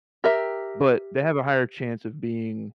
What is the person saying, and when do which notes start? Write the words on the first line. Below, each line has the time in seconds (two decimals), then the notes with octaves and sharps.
but they have a higher chance of being,
0.24 G4 A#4 E5